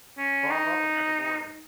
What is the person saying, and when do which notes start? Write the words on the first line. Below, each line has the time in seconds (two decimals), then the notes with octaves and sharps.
Bro, I love The Mandalorian.
0.18 C#4
0.51 D#4